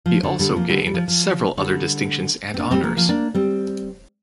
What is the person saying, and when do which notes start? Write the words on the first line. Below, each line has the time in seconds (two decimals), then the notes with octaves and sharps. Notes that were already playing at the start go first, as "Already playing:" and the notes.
He also gained several other distinctions and honours.
0.06 F3
0.23 D3
0.39 D3 G3
0.51 G3
0.56 F3 A#3
0.69 D3 G3
0.86 G3
0.94 F3
1.08 F3
1.57 D3 G3
2.54 C4
2.58 A#3 D4
2.71 G3 C4
2.84 F3 A#3
2.97 F3 A#3
3.09 A#3 D4
3.35 G3 C4